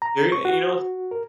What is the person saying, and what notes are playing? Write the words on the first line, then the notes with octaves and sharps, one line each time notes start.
Y and you know
A#5
C#6
F#4
A#4